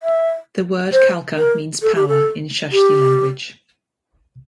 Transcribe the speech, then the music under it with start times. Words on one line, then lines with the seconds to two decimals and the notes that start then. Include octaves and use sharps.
The word Kalka means power in Shashthi language.
0.03 E5
0.92 C5
1.37 A#4
1.82 A4
1.95 G4
2.08 A4
2.72 G4